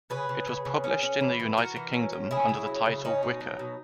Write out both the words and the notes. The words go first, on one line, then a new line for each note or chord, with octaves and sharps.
It was published in the United Kingdom under the title Wicker.
C#3 G#4 B4
C#3
C#3
C#3
C#4
C#4
E3
E3
E3 F#4 A#4
E3
C#4
C#4
C#3 E4 G#4
C#3
F#3
C#3
C#4 D#4
B2
F#3
B2